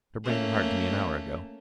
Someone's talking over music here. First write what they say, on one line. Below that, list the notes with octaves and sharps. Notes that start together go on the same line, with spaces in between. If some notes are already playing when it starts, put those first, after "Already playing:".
"Mr. Brand wired to me an hour ago."
A3 A#3 C#4